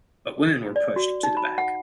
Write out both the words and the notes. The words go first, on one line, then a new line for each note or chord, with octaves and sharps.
But women were pushed to the back.
D5
F#4
D#4
B5
F#5